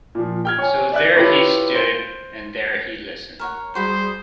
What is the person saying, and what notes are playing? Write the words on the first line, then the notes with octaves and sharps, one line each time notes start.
So there he stood, and there he listened.
A#2 F3
G5 F6 G#6
C#5 G#5
D5 E5 F#6
E4 F4 G4 A4 B4 C#5
C5
A#4 C#5 F#5
G3 F#4 G#4 A4 C5 B5